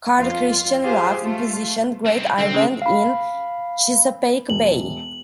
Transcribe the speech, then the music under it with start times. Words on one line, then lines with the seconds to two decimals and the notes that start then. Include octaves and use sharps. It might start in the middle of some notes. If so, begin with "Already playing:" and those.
Carl Christian Rafn positioned Great Ireland in Chesapeake Bay.
0.17 F2 F4
0.82 F4 G4 G#4 C5
1.21 A3 F4
2.06 G2 C4
2.39 C2 D3 C4
2.54 C#3 G#3
2.82 F5 B5
4.50 E1 F#7